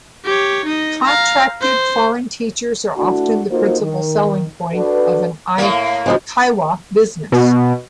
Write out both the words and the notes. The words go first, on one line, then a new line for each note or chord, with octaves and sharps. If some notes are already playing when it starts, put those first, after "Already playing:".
Contracted foreign teachers are often the principal selling point of an eikaiwa business.
G4 C#5
D#4 D#5
F5 A#5
C5
A3 D4 E4 F#4
A#3 D#4 F4 F#4 A4 C5
D#3
D4 F#4 A4 B4
A2 A#3
D2 F3 G#3
B2